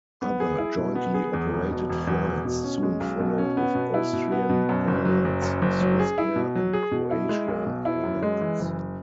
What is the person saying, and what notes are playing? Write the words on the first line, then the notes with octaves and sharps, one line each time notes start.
Other jointly operated flights soon followed with Austrian Airlines, Swissair, and Croatia Airlines.
B3
G#4
E4
B2
B3
G#4
E2
E1
B2
E1
E2
E1
B2
C#4
G#3
B1
B2
C#4
B3
B2
E4
B2
B3
B2
F#2
F#1
F#3
F#1
F#2
F#1
F#3
G#4
E4
B2
F#3
G#4
B2
E4
G#3
B1
B2
E4
F#2
G#3
E3
F#1